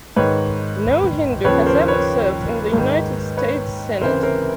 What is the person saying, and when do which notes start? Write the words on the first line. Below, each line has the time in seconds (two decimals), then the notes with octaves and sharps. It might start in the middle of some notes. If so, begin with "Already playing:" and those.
No Hindu has ever served in the United States Senate.
0.16 G#2 D#3 B4 C#5
1.45 D#2 C#3 F3 B4 C#5
1.66 A#4 C5
1.88 B4 C#5
2.73 G#2 D#3
3.37 B4 C#5
4.01 C#2 C3 E3 A#4 C5
4.23 A#4 C5